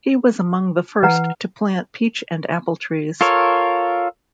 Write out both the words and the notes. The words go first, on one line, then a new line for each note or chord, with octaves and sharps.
He was among the first to plant peach and apple trees.
E3 B4 F#5 A#5
F4 A4 A#4 C#5